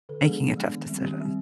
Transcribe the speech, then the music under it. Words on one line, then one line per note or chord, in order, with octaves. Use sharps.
making a tough decision?
D3 A4
F3 G#3 B3 D4 G#4
D3
F3 G#3 B3 D4
D#3
G3 C4
D#3 G4
G3 C4